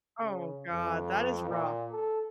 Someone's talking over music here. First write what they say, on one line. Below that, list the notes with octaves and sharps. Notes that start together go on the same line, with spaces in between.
Oh god, that is rough.
C#3
F2
A#2
A4